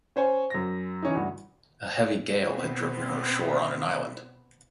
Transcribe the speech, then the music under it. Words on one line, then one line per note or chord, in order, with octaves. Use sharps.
A heavy gale had driven her ashore on an island.
C#4 C5 C#5 G#5
F#2 A#6
E3 C#4 D#4
D2 G2
B2 B3 C4